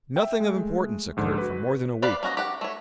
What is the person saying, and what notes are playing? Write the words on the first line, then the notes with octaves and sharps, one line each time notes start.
Nothing of importance occurred for more than a week.
E5 G5
G#3 A3
A#1 G#2 D3
F#4 B4
A#3 G4 B4 D5 F5
A#3 C#4 F#4 D#5
G4 F#5
A3 C#5